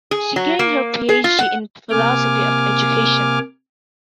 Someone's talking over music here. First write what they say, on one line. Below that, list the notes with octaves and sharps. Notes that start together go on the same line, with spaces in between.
She gained her PhD in philosophy of education.
G#4
F#3
A#3
G#4
F4
F#5
C3 A#3 G#5 D6 F6